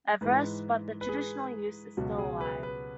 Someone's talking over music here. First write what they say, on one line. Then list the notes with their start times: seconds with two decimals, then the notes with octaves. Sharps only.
Everest, but the traditional use is still alive.
0.21 G#2 E3 G#3 B4
1.01 B4
1.09 G#4
1.97 C#2 B2 F#3 F#4
2.18 G#4
2.41 B4
2.63 B4